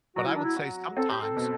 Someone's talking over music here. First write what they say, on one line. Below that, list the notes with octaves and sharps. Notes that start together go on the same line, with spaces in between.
but I would say sometimes
F#3 F#4
E4
D4
E4
F#4
C4 A4
G4
A4
B2